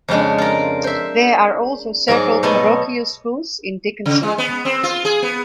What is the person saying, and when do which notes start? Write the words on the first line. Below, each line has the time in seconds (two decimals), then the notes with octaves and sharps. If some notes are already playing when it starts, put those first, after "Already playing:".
There are also several parochial schools in Dickinson.
0.08 F2 C#3 G#3 D4
0.38 F4 A#4
0.84 C5 E5
2.08 G#2 F#3 G#4 D5
2.43 B2 A3 B3 D#5 G#5 A5
4.06 C#3
4.23 G#3
4.38 B3
4.65 C4
4.83 F4
5.05 G#4
5.23 B3